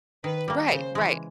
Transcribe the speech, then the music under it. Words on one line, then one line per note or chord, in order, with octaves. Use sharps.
Right, right.
D#3 B4
G3 A#3
C#3 C5
E3 G#3